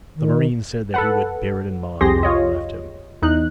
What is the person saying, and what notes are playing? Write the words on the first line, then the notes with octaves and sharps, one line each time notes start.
The marine said that he would bear it in mind, and they left him.
D#3
A4 B4 F#5
C2 F2 G4 G#4 C6 A#6
F4 C#5 D#5
E2 D#4 F#6